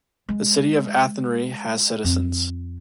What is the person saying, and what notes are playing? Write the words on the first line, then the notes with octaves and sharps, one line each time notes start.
The city of Athenry has citizens.
G#3
F2